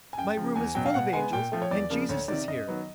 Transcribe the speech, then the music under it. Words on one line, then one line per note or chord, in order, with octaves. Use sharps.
My room is full of angels and Jesus is here.
G#5
F#2 G5
C#3 F3
E2 G#5
B2 F#3 G5
F5
B2 F#5
G#3 B3 G#5
A#2 G5
F3 A3
C#5
E2 D5
C#3 F3 A#3
D2 C#5
C3 D#3 D5
F#2 D#5
D#3 F#3 B3